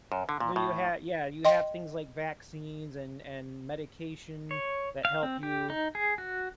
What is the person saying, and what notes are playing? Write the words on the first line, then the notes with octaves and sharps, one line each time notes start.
Do you ha yeah, you have things like vaccines and and medication that help you
F#2
D3
A#2
A2
D#5 G5 C6
C#5
F5
C4
G4
D#4
G#4
F#4